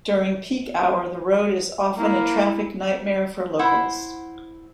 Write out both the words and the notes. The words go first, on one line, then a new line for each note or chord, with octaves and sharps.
During peak hour the road is often a traffic nightmare for locals.
A#3 E4
E4 C5 F#5